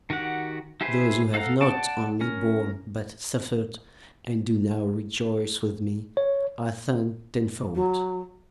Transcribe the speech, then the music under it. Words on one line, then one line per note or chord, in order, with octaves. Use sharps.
Those who have not only borne but suffered, and do now rejoice with me, I thank tenfold.
D#3 F#4 G4 F#5
E4 G4 G#4 B4 C5
A4 F5 F#5 A#5
D5 F#5 G5 A5
C#4 A#4
C#5
F#3